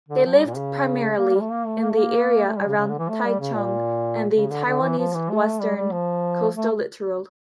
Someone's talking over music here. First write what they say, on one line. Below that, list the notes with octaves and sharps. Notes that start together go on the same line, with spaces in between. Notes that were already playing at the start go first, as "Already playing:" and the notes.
They lived primarily in the area around Taichung and the Taiwanese western coastal littoral.
D3
F3
G3
A#2
C#3
A#3
A#3
G3
A3
A#3
A3
A#3
A3
A#3
A3
G3
C#3
C#3
D3
E3
A3
G3
C#3
A#2
C#3
D3
D3
E3
F3
E3
A3
G3
G3
F3
A3